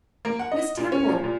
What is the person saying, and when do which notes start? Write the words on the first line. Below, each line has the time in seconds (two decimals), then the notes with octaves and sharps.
Miss Temple!
0.25 A#3
0.39 F#5
0.52 D#5
0.77 A#2
0.92 C#4
1.08 A#2
1.24 A#2